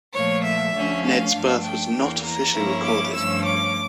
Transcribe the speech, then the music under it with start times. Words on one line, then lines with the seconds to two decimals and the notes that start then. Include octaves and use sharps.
Ned's birth was not officially recorded.
0.14 A#2 F3 A3 C#5
0.44 E5
0.74 D2 D3 F3 A3 C#4
1.05 F5
1.34 G2 F3 A3 D4
1.65 G5
1.95 E2 E3 A#3
2.24 A#5
2.54 G2 F3 A#3 C#4 E4
2.84 D6
3.14 G2 F3 A3 C#4 E6
3.45 D6